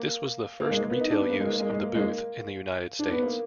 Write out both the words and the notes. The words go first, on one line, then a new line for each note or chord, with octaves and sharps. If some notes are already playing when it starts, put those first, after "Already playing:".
This was the first retail use of the booth in the United States.
Already playing: A#3
A#3
G#3
A#3
B3
D#4
D4
B3
A#3
G#3
A#3
G#3
G#3
A#3
G#3
A#3
D4
B3
A#3